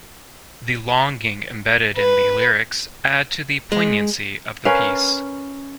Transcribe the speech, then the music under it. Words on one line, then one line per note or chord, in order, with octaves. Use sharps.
The longing embedded in the lyrics add to the poignancy of the piece.
B4
G#3
C#4 A#4 B4 F5